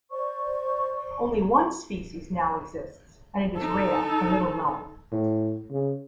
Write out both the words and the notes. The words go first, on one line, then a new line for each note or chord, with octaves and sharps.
Only one species now exists, and it is rare and little known.
C5 D5 C#6
D#4 A4
A2
C#3